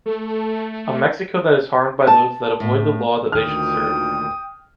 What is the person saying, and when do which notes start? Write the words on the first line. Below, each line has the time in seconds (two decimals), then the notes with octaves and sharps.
A Mexico that is harmed by those that avoid the law that they should serve.
0.06 A3
2.07 A5
2.60 A2
3.32 D2 A#2 D#3 G5 D#6 F6